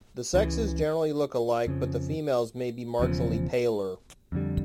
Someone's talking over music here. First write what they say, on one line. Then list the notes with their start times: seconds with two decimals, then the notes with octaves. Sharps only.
The sexes generally look alike but the females may be marginally paler.
0.34 C#2 C#3 E3
1.67 F2 C#3 F3
3.00 E1 E2 C#3 F3
4.32 F2 D3 G3